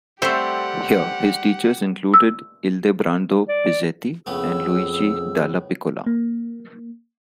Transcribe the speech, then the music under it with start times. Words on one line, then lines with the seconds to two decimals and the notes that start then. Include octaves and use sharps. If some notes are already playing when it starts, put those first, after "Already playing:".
Here his teachers included Ildebrando Pizzetti and Luigi Dallapiccola.
0.22 G3 A3 C4 G4 C5 E5 F#5 C6
2.14 E6
3.48 D5
4.26 F2 A2 C#3 B3 G#4 E6
6.06 A#3